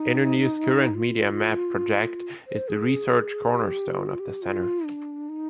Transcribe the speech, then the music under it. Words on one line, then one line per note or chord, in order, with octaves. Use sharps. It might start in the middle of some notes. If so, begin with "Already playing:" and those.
Internews' current Media Map project is the research cornerstone of the Center.
Already playing: D#4
F4
C5
G#4
G4
F4
G4
F4
G4
F4
D4
D#4